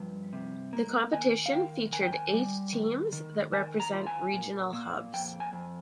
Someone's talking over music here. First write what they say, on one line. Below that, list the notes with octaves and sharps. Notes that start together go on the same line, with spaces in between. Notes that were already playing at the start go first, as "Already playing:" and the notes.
The competition featured eight teams that represent regional hubs.
Already playing: G2 F3
C3
A#3
D#3 G#5
F5
D#3 G5
D#3 G#5
G5
G#5
G3
D#3
D#3
D#3 G#5
A#5
F4
G#5
A#2
A#2
F2 G5
G#5
F2